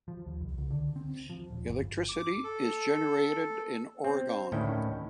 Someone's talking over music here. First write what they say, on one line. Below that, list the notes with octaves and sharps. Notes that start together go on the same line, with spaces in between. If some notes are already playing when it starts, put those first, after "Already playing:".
Electricity is generated in Oregon.
F3
D#2
C2
C#2
D3
C4
F3
D#1
G1
D6
A4
C4
D2 A2 D#3 C#4 E4 G5